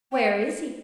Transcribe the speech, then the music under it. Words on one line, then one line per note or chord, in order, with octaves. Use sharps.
"Where is he?"
G5